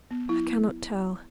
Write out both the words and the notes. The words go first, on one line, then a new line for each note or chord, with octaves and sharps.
I cannot tell.
B3
F#3 E4
B3